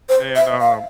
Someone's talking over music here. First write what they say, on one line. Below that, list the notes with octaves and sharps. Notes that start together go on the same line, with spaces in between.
and, um,
C5
E5
F5